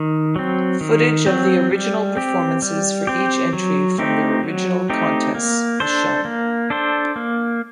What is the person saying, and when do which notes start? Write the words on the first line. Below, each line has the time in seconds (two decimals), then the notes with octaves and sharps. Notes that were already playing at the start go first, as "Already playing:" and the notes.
Footage of the original performances for each entry from their original Contests was shown.
Already playing: D#3
0.36 F#3 C4
0.81 D#3
1.26 F#3 C4
1.71 G3
2.17 C4 G4
2.62 G3
3.07 C4 G4
3.53 F#3
3.98 A3 C4 D#4 G4
4.43 F#3
4.90 A3 C4 D#4 G4
5.35 A#3
5.80 D4 A4 C5
6.25 A#3
6.70 D4 A4 C5
7.16 A#3